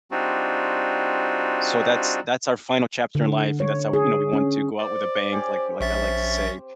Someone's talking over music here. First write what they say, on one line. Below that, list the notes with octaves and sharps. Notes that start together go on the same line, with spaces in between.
So, that's that's our final chapter in life, and that's how we you know, we want to go out with a bang, like like I like to say.
G3 C4 D4 D#4 F4 F#4
D3
C#5
G#4
C#4
C5 D5
C#4 G4 C5
A#1 C4 C#4 E5 A6